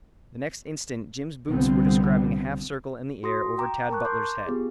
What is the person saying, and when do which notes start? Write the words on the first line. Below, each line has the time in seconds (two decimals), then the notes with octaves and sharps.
The next instant Jim's boots were describing a half circle in the air over Tad Butler's head.
1.49 C2 D3 F3 G3 B3 C4
3.23 F#4 C6 D#6 A#6
3.58 G5 A#5 D6
3.90 A#4 A5 C#6 F#6
4.05 A#5 C6 D6 G6
4.46 B3 F4 G4 G#4